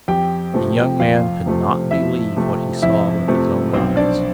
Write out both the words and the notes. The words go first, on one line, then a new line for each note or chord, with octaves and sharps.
The young man could not believe what he saw with his own eyes.
F2 G4 G5
C3 F3 A3 C4
F2 F4 F5
C3 F3 A3 C4
F2 E4 E5
C3 F3 A3 C4
F2 E4 E5
C3 F3 A3 C4
B1 C4 C5
D4 D5